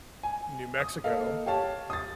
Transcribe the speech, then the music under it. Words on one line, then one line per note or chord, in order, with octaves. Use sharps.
New Mexico
G#5
D#6
A#3 A4 D#5 F5
G4 C#5 F5 A5
D#6 A6